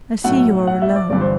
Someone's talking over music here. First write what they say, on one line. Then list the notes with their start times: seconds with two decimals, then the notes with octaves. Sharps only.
I see you are alone.
0.24 B1 A2 F#3 A3 F#5
0.67 F#5
0.82 E5
0.96 D5
1.10 G1 G2 E3 D5
1.21 C5